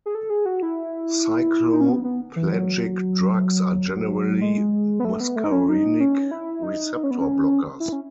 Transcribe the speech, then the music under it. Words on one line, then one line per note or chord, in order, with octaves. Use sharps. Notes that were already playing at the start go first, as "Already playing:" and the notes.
Cycloplegic drugs are generally muscarinic receptor blockers.
G#4
A4
G#4
F#4
E4
D#4
C#4
B3
B3
E3
F#3
G#3
B3
A3
B3
A3
D#4
C#4
D#4
C#4
E4
D#4
D#4
C#4
B3
C#4
E4
C#4